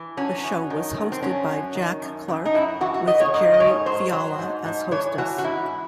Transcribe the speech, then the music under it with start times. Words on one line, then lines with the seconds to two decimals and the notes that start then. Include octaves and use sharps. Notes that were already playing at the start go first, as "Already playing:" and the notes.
The show was hosted by Jack Clark, with Jerri Fiala as hostess.
Already playing: E3
0.17 F#3 C#4
0.44 F#2
0.70 D#3
0.96 F#2
1.12 C4
1.23 F#3 C#4
1.49 F#2
1.75 D#3
2.02 F#2
2.28 F#2
2.45 D#4
2.54 F#2 E4
2.81 E3 F#4
2.94 F#4
3.07 E3 D#5
3.20 C#5
3.34 G#2 D#5
3.54 D#5
3.60 G#2 C#5
3.86 F#3 C5
4.12 F#3
4.39 G#2
4.66 G#2
4.91 E3 C#5
5.18 E3 F#4
5.38 F#4
5.44 G#2 E4